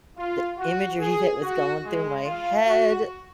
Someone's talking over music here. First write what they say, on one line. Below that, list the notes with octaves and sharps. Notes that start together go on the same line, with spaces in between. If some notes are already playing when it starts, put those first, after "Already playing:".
the imagery that was going through my head,
F4
F#4
G#4
F#4
G#3
F4
F#4